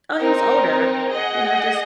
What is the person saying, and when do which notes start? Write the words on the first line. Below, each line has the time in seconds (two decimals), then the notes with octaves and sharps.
oh, he was older, you know; just
0.19 C4 D#4 A#4
1.11 G#4 D#5 F#5